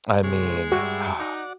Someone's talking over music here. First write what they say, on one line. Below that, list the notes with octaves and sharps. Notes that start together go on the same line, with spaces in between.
I mean, uh
C3 G#3 C#5
G2 G3 F#4 E5
D#4 D5 F#5